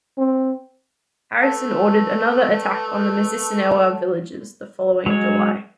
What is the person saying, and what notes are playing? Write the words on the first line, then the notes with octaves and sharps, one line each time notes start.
Harrison ordered another attack on the Mississinewa villages the following July.
C4
A3 B4 A5
F#3 G#3 C#5